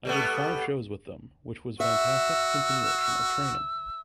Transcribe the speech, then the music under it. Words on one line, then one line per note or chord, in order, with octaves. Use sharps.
I did five shows with them which was fantastic continuation of training.
G3 A3 B3
F#4 E5 E6